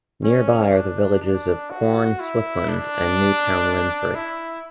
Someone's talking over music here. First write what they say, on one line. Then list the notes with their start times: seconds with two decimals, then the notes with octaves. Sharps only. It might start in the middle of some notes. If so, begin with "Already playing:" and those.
Nearby are the villages of Quorn, Swithland, and Newtown Linford.
0.24 C#4
0.73 D4
1.22 D4
1.70 F#4
2.20 E4
2.69 D4
4.15 E4